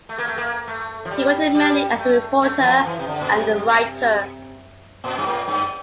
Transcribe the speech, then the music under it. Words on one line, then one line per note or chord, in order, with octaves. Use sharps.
He worked mainly as a reporter and a writer.
A3
A#3
A3
A#3
A3
F3
G3
G3
A3
A3
E3
F3
E3
C3
D3
A#2
C3
A#2
G2
A2
G2